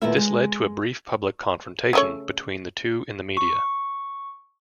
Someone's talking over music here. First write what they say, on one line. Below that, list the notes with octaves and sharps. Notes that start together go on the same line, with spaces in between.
This led to a brief public confrontation between the two in the media.
D#2 A#2 A3 B3 E4 E5
G#3
C#3 A3 C#5
C#6